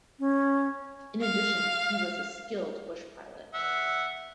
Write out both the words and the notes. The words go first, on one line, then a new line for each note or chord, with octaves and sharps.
In addition, he was a skilled bush pilot.
C#4
F5
E5 F#5